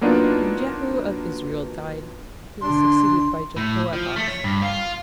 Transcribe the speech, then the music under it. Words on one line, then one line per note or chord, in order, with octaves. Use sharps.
When Jehu of Israel died, he was succeeded by Jehoahaz.
F#3 A#3 B3 D4 D#4 F4
D3 D4 C6
A2
F3
A3
C#5
G2
F4